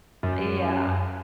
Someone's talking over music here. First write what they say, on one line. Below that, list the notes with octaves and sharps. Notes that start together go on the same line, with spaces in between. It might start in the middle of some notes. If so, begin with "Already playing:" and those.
Uh, yeah.
F#2